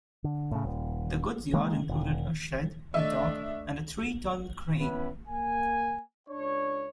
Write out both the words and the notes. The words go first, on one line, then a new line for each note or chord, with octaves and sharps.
The goods yard included a shed, a dock and a three-ton crane.
D3
A2 C#3
D#1
D#3 G#3 A#3
E1
A3 D4 D#5 E5
B3 C#4 E4 B4
A#3 G#5
C#2 D4 C#5